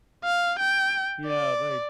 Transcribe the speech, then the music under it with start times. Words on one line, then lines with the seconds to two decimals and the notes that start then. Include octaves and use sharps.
Yeah, they
0.24 F5
0.60 G5
1.27 D5